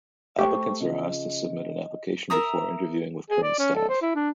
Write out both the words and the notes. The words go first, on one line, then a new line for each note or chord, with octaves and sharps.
Applicants are asked to submit an application before interviewing with current staff.
A3 G4 C5 G5 C#6
C#3 F3 D#5
A#4 E5 A#5 D#6
G#4
D5
C#4
A4
C5
E4
D4